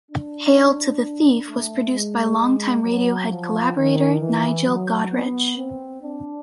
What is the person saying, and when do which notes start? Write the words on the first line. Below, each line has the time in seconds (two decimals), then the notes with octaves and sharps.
"Hail to the Thief" was produced by longtime Radiohead collaborator Nigel Godrich.
0.11 D4
1.48 A3
1.93 G#3
2.39 G#3
2.84 F#3
3.30 F3
3.76 D#3
4.20 E3
4.66 F#3
5.12 B3
5.57 C4
6.02 D4